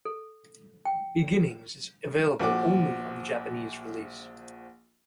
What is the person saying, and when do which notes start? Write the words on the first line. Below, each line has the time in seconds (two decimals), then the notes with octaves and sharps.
"Beginnings" is available only on the Japanese release.
0.05 A4
0.85 G5
2.39 A#1 F3 F#4 F#5 D6